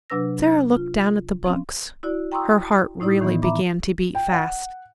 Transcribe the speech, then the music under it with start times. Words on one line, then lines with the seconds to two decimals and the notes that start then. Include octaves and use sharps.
Sara looked down at the books; her heart really began to beat fast.
0.10 C3 F#3 D4 B4 E6 A#6
0.76 F4
1.44 F3 C4 C#4
2.03 E4 F#4 D5
2.32 G5 A#5 C6 C#6 D#6 E6
3.00 A2 D#4 E4 D5 D#6
3.21 A2 D#3 E3 B3
3.42 E5 A#5 B5 D6
4.15 G5
4.33 F#5